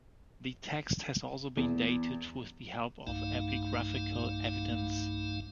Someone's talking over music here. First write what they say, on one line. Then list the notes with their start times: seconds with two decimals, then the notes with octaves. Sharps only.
The text has also been dated with the help of epigraphical evidence.
1.57 E2
3.07 B1 G2 A3 D#4 F5